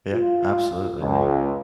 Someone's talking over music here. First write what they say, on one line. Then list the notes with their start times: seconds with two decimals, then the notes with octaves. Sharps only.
Yeah. Absolutely. Yeah.
0.12 F4
1.00 C#2